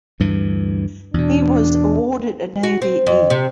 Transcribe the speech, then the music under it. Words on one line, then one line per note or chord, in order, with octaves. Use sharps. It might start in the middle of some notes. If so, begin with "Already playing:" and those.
He was awarded a Navy "E".
D2 G2 E3
E2 B2 D4
F#4
C4
F2
C3